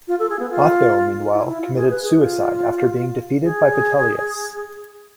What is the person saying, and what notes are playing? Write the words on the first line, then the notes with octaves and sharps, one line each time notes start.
Otho meanwhile committed suicide after being defeated by Vitellius.
F4
A4
G#4
B3
F4
E4
E4
F4
G#4
B4
G#4
F4
G#4